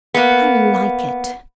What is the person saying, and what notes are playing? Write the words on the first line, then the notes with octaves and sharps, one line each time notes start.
I like it.
A#3 B3